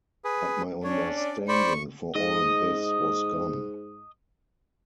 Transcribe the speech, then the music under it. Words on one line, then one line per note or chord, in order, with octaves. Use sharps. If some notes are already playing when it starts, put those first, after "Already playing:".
But my understanding for all this was gone.
G#4 B4
C#4 D4 C#5
D5
C5 D5 B5 C#6
G#2 D#5